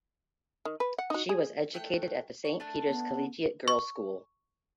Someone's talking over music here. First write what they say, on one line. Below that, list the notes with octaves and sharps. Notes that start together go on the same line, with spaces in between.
She was educated at the Saint Peter's Collegiate Girls' School.
D#3
B4
F#5
D#4 F#4
G#4
A3 G5 F#6
C#5
A3 D4
B3
C#6